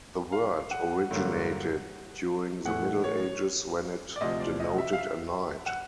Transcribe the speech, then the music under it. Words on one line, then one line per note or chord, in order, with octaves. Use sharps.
The word originated during the Middle Ages when it denoted a knight.
F5
F#5
G2 D3 F#3 A#3
A2 E3 A3 F#5
C#5
D5
D2 C3 F3 D#5
D5
D#5
E5
F5
E5
F#5